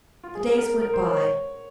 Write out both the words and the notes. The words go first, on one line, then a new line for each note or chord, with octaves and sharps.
The days went by.
F4
G#4
A#4
A#4
A#4
A#4
C5
C#5
C#5